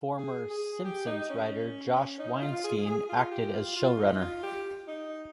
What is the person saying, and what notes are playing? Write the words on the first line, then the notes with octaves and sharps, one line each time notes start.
Former "Simpsons" writer Josh Weinstein acted as showrunner.
G#4
G#4
G4
D#4
C#4
D#4
F4
G#4
G#4
F4
G4
F4
F4
D#4
F4
G4
D#4